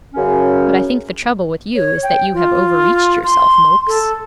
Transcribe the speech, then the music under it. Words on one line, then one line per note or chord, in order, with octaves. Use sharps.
But I think the trouble with you is that you have overreached yourself, Noakes.'
F#2 C#3 C#4
C#5
G5
F4
C6
A4